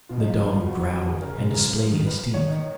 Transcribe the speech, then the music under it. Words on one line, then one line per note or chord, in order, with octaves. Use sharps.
The dog growled, and displayed his teeth.
B2 F4
F3 D#4
F4
F3 D#4
F4
F#4
F3 F#4
D#3 G#4
C#3 A#4
B2
C#3 A#4
F3
F3
D#3
D#3 B4
F3
D#3 C#5
D#3 D#4